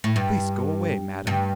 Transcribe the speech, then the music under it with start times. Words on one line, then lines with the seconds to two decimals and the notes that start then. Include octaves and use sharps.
"Please go away, madam!"
0.04 A2
0.16 G2
1.27 G2